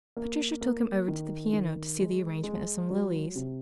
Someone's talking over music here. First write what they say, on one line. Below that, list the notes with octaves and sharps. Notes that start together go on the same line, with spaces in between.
Patricia took him over to the piano to see the arrangement of some lilies.
A#3
A#3
D#3
D#3
G#3
G#3
F#3
C3